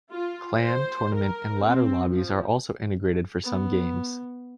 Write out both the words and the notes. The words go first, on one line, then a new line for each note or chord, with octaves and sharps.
Clan, tournament and ladder lobbies are also integrated for some games.
F4
C5
A#4
C4
F3
B3